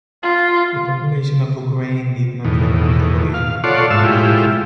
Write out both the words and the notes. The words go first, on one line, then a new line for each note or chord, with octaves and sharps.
The population of Ukraine did not recognize the abolition of private property.
F4
E2 A2 D#3
F5
F4 A4 C#5 D5 F#5 C6
G#2 E5 F5 A5 E6
A2 G#3 E4 F4 G4